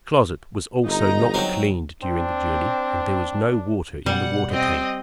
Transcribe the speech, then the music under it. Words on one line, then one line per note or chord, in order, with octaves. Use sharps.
The closet was also not cleaned during the journey and there was no water in the water tank.
G1 D#4 A#5
F#3 C4
C4 D4
B2 G3 F#5
C4 D#5